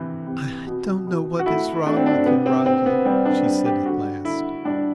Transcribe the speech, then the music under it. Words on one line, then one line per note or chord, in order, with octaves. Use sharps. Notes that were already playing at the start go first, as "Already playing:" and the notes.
"I don't know what is wrong with you, Rodya," she said at last.
Already playing: C3 E3
C3
B2
B2
F#4
A3 E4
A3 D4
C4
D4
C3 B3
C4
C3 C4
B3
G3 C4
D4
G3
G4
D3 F#4
D3 E4
G3 D4